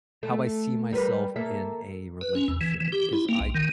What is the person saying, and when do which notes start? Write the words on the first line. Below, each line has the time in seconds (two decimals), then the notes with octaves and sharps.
how I see myself in a relationship, because I'd
0.23 A3
0.93 G3 A#4 B4
1.36 A#3 A4 E5
2.21 B4
2.35 C#4
2.48 E2
2.61 E3
2.80 E3
2.92 G4
3.13 E4
3.29 A#3
3.40 C2
3.54 D#3